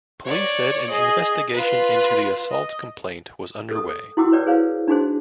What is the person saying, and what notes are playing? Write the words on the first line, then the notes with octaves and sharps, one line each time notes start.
Police said an investigation into the assault complaint was underway.
C#5 D5
G#4 D#5
F4 B4
D#5
A4 D#6
E4 F#4 G5 D6 E6
B4 C#5 D5 G5
G#4 B4 C5 F5
D4 D#4 F#4 G#4 C5